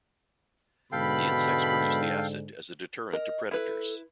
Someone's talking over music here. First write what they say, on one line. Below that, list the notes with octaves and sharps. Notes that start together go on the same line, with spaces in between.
The insects produce the acid as a deterrent to predators.
G#2 B2 D3 A4 F5 G5 B5
A#4 D#5
E4 A4 B4